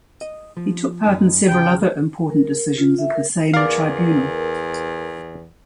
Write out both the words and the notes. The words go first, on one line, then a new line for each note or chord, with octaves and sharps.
He took part in several other important decisions of the same tribunal.
D#5
F3
F#2 D#4
E2 C#3 G5
A#4
A#4
F4
E5
A#4
E2 A#4 D5 F5